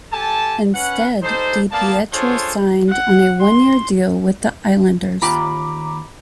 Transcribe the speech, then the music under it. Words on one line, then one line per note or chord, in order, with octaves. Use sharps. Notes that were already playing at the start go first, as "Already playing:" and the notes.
Instead, DiPietro signed on a one-year deal with the Islanders.
G4 A4 G#5 A5
C#4 B4 F#5
G3 D#4 A4 C5
A#3 B3 D5 F5 A5
D4 F4 G#4 A4 C5 C#5
F#5
C6
D#2 F4 G5 A#5 B5 D6